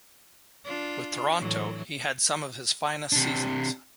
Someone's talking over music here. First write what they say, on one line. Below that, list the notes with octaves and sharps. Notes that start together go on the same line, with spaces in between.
With Toronto, he had some of his finest seasons.
D4 F4
A2 E3 F#3
C3 D4